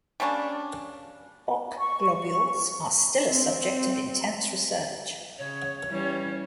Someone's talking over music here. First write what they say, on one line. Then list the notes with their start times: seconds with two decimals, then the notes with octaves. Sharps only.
Bok globules are still a subject of intense research.
0.20 G3 A#3 C#4 D4
1.78 C#6
3.28 C4
5.38 C#3 C#5
5.89 E3 G3 C#4